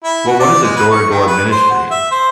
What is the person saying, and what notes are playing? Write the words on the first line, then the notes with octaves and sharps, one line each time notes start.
well, what is a door-to-door ministry?
E4
F#4
D5
G#3
B4
C#6
D#3
B4
C5
F#5
E5
C5